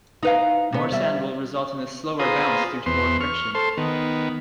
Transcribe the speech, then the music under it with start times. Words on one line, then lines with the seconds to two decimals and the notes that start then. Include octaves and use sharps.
More sand will result in a slower bounce due to more friction.
0.23 D#4 B4 F5
0.72 C3 B3
0.92 G3 E5
2.19 F4 G#4 B4 C5 A#5 D#6
2.86 E2 B3 C5 C6
3.21 C#6 F6
3.55 A4 C5 C6
3.77 D#3 B3